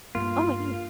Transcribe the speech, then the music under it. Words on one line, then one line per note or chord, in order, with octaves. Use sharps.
Oh my goodness.
G2 A#3 F4